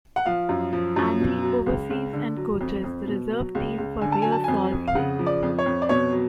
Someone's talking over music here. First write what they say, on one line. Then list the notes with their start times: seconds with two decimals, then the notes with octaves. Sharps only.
Andy oversees and coaches the reserve team for Real Salt Lake.
0.16 F#5
0.26 F3 F5
0.49 F#2
0.73 F3
0.96 F#2
1.20 B2
1.43 F#3
1.66 C#2
1.90 C#2
2.13 D3
2.37 F#3
2.61 F2
2.84 F2
3.07 B2
3.31 F#3
3.55 C#2
3.78 C#2
4.01 D3 G#5
4.12 A5
4.22 F#3 G#5
4.32 A5
4.44 F2 G#5
4.72 F2
4.88 F5
4.95 C#3 F#5
5.19 F3
5.26 D5
5.43 F2
5.59 C#5
5.66 F2
5.82 D5
5.89 B2 C#5
6.12 F#3